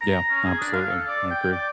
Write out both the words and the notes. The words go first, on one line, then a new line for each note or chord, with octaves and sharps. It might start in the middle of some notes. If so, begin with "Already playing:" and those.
Yeah, absolutely, I agree.
A#5
C#4
G#4
D4
F5
A4
D5
G5
D5